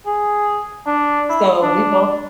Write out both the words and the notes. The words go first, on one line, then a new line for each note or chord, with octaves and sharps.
so we both
G#4
D4
E4
D4